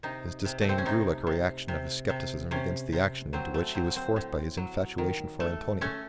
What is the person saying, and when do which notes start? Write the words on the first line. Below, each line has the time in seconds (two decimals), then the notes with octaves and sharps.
His disdain grew like a reaction of his scepticism against the action into which he was forced by his infatuation for Antonia.
0.03 C3 D#4
0.45 C3
0.61 A3
0.69 C4
0.78 C#4
0.85 C3 D#4
1.27 C3
1.68 C3
2.10 C3
2.51 C3 C#4
2.93 C3
3.33 F#3 C4
3.54 A3
3.75 F#3 C4
3.96 C4
4.16 A2
4.57 F#3
4.98 D#3
5.40 A3
5.81 A3 C#4